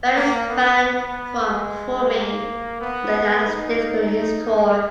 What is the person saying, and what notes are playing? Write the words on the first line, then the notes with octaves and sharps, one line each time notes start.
Brown is banned from performing in the United States during his tour.
A#3
B3
B3
G#3
A#3
B3
D#4
G#3